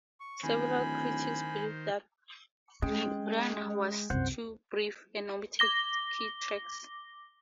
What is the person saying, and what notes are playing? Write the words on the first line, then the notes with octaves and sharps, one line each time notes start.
Several critics believed that "Nirvana" was too brief, and omitted key tracks.
C#6
D1 D#3 C5 G#5 B5
G#3 C#4 G5
C2 F#2 C5 F#5
D6 A#6 G7